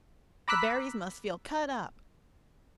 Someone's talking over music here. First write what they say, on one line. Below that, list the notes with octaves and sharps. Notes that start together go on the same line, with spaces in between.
The Barrys must feel cut up.
A#5 B5 D6 E6 F#6 B6